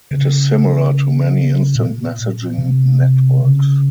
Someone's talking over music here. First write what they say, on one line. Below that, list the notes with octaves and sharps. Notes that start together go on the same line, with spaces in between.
It is similar to many instant messaging networks.
C#3
A#2
C3
C#3